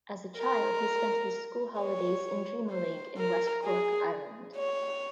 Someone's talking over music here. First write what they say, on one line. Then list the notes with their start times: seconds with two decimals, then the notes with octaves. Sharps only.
As a child, he spent his school holidays in Drimoleague in West Cork, Ireland.
0.38 A#4
1.78 C#5
2.70 C5
3.17 A#4
3.64 G#4
4.57 C#5